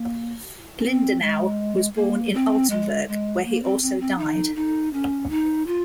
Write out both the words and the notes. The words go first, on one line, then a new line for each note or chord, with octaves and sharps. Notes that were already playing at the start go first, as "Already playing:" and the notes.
Lindenau was born in Altenburg, where he also died.
Already playing: A#3
C#4
C4
G#3
A#3
C4
G#3
G#3
A#3
C4
C4
C4
D#4
D#4
C#4
D#4
F4